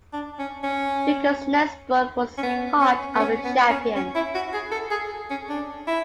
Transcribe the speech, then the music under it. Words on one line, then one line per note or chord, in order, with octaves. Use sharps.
Deuker's next book was "Heart of a Champion".
D4
C#4
C#4
C#4
B3
C#4
B3
C#4
B3
C#4
C#4
E4
F#4
G#4
A4
G#4
C#4
D4
E4